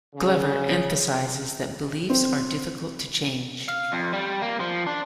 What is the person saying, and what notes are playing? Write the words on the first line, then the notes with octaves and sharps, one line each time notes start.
Glover emphasizes that beliefs are difficult to change.
C#3
C4
F5
F2
G3
A#3
F3
D4